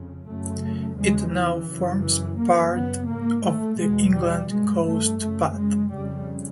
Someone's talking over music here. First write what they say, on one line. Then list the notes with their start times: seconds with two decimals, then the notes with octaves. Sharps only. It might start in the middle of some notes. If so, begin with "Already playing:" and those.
It now forms part of the England Coast Path.
Already playing: F2 C#3
0.26 F#2 C#3 A3
0.97 E2 C#3 G#3
1.33 E3
1.68 F#2 C#3
2.03 E3
2.38 F#2 C#3 A#3
2.74 B3
3.09 G#2 A#3
3.44 A3
3.79 E2 B2 G#3
4.14 G3
4.50 G2 G#3
4.85 A3
5.20 F#2 C#3 A3
5.56 G#3
5.91 F2 C#3 G3